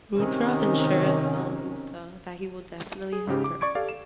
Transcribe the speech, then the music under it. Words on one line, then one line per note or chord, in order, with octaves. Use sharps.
Rudra ensures Amrutha that he will definitely help her.
C3 D#3 C#4
G#4
G#2 C#3 G4
D6
D5 C#6 G#6 D7
G4 A4 D5 F5
E7